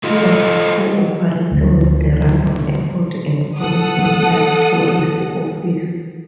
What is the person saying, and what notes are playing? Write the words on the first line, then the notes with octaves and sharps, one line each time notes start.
He was cooperating with the Radom Airport and Polish National Tourist Office.
A3 F4 A4 D#5
D2
A4 F#5 D#6